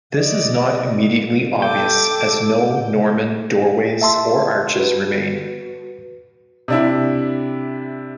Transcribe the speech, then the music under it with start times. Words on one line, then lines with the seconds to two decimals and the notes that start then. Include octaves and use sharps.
This is not immediately obvious as no Norman doorways or arches remain.
0.16 D5 D#5
1.62 A4 G5 D6
4.02 E5 A5 C6 E6
4.76 F#4 B4
6.68 C3 D4 E4